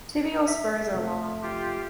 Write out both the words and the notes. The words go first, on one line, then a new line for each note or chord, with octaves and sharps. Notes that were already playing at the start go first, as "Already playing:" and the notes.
Tibial spurs are long.
E5
F1 A3
F4 G4